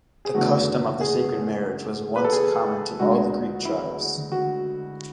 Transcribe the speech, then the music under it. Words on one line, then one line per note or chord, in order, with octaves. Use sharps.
The custom of the sacred marriage was once common to all the Greek tribes.
G#4
F#1 E2 D3 A3 F#4
G#4
B4
A4
G#4
D2 D3 G#3 F#4
E4
F#4